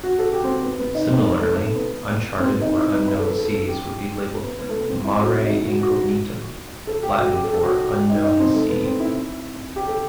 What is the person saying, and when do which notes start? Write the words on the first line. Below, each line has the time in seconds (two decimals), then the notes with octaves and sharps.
Similarly, uncharted or unknown seas would be labeled mare incognitum, Latin for "unknown sea".
0.03 F#4
0.19 A4
0.33 G4
0.44 C4
0.63 B3
0.79 B3
0.95 D#4
1.09 C4
1.24 B3
1.40 A3
1.55 A3
1.66 A3
1.76 B3
2.40 C4
2.46 B3
2.61 D#4
2.76 E4
2.92 B4
3.08 B4
3.19 A4
3.27 B4
3.38 A4
3.53 A4
3.68 G4
4.43 B3
4.59 B3
4.69 A3
4.79 B3
4.89 C4
5.04 E4
5.20 F#4
5.35 E4
5.44 D#4
5.50 E4
5.65 F#4
5.80 F#4
6.87 A4
7.03 G4
7.18 F#4
7.33 G4
7.43 A4
7.53 A4
7.63 F#4
7.93 G4
8.09 D#4
8.24 D#4
8.39 C4
8.54 A3
8.69 B3
8.85 C4
9.00 E4
9.76 G4
9.87 A4